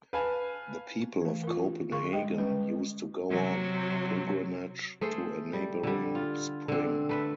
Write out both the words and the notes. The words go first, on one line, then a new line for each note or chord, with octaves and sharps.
The people of Copenhagen used to go on pilgrimage to a neighboring spring.
B4 F5 G#5 A5
E3 A3
F4 A#4
D3 G#4 A#4 F5 C6 C#6
G#3 D#5 G5
G3 G#3 C#4 B4
C3 F#3
A3 G#4 C5
G3
D3 G3
F4
D3 C4
A3 B4 E5